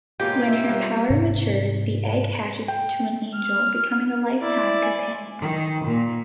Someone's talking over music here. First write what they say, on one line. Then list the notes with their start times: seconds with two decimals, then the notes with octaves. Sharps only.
When her power matures, the egg hatches into an angel, becoming a lifetime companion.
0.20 G#2 B2 A#3 F4 G4 C#5
0.46 E5 E6
0.68 G3 B3 A#4
1.10 G#2 C3
2.68 G5
3.34 F6
4.42 E4 D5
4.83 G#5
5.41 D#3
5.85 A#2